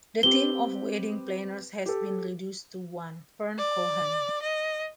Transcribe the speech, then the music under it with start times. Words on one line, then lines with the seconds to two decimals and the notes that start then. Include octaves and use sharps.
The team of wedding planners has been reduced to one: Fern Cohen.
0.23 C4 G4 B4 G7
1.86 G4 A4
3.58 D5
4.42 D#5